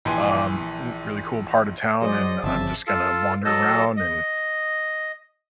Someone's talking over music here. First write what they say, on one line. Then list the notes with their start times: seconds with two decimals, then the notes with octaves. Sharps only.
um, really cool part of town, and I'm just gonna wander around and,
0.05 A#1 E3 G5 G#5 C6
2.02 F#3 G#4 C5 D5 D#5
2.44 G1 C#3 F3 C4 E5 A5
2.87 F4 A4
3.45 F#3 A4 D#5
3.97 D#5